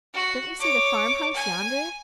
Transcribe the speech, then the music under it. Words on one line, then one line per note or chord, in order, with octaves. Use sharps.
Don't you see the farm-house yonder?
F#4
C#5 D6
G#5